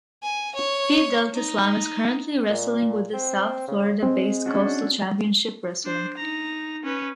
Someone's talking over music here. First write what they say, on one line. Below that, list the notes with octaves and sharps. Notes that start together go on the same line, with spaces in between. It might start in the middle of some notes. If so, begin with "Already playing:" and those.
Phi Delta Slam is currently wrestling with the South Florida-based Coastal Championship Wrestling.
G#5
C#5
D#4
A#2
C4
C#3
G#3 C4
C#4 D4 F#4
D4 C5
D#4 A#5
C#4 B4